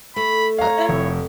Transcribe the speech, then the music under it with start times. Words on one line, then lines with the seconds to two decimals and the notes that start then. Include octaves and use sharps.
Oh, no.
0.16 A3 B5
0.58 C#5 F5 A#5
0.89 F1